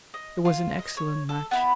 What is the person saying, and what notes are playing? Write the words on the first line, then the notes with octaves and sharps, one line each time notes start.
It was an excellent match.
D#5
F4
D#5
C#5
A4
B3 E4 B5